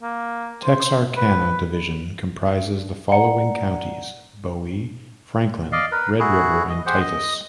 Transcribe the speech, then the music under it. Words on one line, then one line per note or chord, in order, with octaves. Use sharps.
Texarkana Division comprises the following counties: Bowie, Franklin, Red River, and Titus.
A#3
C5
B4
D5 F#5 A#5 C#7
D5 D#5 F5
A#4 B4
E4 F#4 G#4
D#5
G4 G#4 C5 F#5
D#5